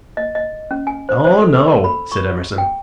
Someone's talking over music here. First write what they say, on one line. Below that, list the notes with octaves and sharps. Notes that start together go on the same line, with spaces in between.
"Oh no," said Emerson.
D#5
D#5
C#4
G#5
C5
C5
A4
E6
B5
C#6
G5